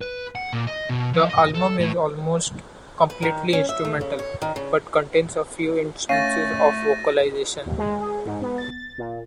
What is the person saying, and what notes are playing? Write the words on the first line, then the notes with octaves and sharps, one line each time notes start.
The album is almost completely instrumental, but contains a few instances of vocalization.
B4
F#5
A#2
D#5
B2
F3
D#5
A4
A2
B4
D#3
C#4
E5
A3
C#3
C#5
D#3
C#3
A3 C#4 F5 A6 A#6 D#7
D#2
G#3
G#4
G#2
B3
A6
A#2